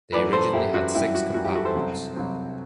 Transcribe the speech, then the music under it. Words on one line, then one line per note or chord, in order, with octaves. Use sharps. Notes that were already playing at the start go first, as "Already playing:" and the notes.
They originally had six compartments.
F#2 E3 A3 B4 D5
A4 C5
F#2 E3 A3 E4 G4
F#4
F#2 E3 G3 E4
F#4
F#2 E3 G3 F#4
E4 G4
F#4 A4
A4 C5
C2 C3 F#3 C4
C2 C3 F#3 C4